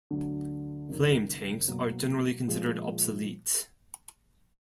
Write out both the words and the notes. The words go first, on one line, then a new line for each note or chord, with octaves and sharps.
Flame tanks are generally considered obsolete.
D2 D3 F#3
F#1 F#2 D#3
B2 F#3 A#3
A#2 F3 G#3